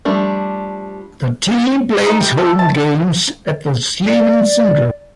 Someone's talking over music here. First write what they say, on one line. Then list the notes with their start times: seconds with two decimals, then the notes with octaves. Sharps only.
The team plays home games at the Sleeman Centre.
0.05 F3 G3 A3 D4
2.07 D#4
2.21 G3
2.38 A4
2.59 A5
4.06 D5